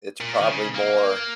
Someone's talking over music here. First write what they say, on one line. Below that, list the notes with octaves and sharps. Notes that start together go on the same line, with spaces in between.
it's probably more
A#2
D#3
C#3
A#3